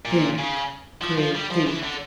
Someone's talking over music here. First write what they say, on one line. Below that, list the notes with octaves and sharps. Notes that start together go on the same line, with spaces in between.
Think; pray think!
A#2
C#3
F3
F3
G3
F3
E3
D3